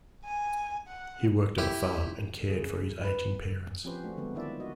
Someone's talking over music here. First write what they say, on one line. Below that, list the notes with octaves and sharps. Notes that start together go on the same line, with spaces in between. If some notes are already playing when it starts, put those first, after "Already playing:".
He worked on a farm and cared for his aging parents.
G#5
F#5
E4 G4
C#3
B4
F3 C4 C#4 G4 B4 C5
A3 D4 F#4
D3 G3 G#3 B3 C4
D#3 D4 E4 F4 D5 E5
F#4 D#5